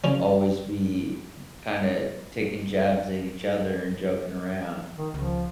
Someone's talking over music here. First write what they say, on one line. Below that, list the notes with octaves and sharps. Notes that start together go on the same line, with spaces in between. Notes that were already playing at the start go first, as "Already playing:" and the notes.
always be kinda taking jabs at each other and joking around.
C#3 F3 C#4
D#3
C#2 F3